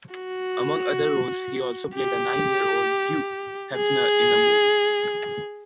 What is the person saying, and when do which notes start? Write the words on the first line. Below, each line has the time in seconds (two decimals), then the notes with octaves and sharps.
Among other roles, he also played a nine-year-old Hugh Hefner in a movie.
0.15 F#4
1.96 G4
3.76 G#4